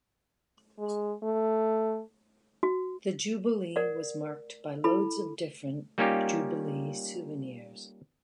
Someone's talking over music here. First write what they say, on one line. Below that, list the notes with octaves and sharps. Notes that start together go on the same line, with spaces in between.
The Jubilee was marked by loads of different Jubilee souvenirs.
G#3
A3
F#4
A#4 D5 F#5
E4 A4 B5
G3 A#3 C#4 D#4 F4 G4